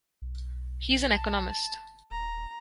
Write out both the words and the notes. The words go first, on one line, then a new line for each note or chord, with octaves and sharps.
He is an Economist.
B1
A5
D#1 A#5